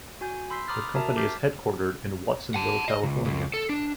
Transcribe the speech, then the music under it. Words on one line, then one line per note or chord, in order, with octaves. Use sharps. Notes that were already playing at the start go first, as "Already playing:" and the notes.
The company is headquartered in Watsonville, California.
F#4 G#5 G6
B5 C6 E6 G6 B6 C7
A#5 B5 D6 D#6 F6 A6
F#4 A#4 E5 A5 A#5
D6 F6 G6 A6 B6 C7
F#5 A5
D#5
C#2
C#2
A4
D4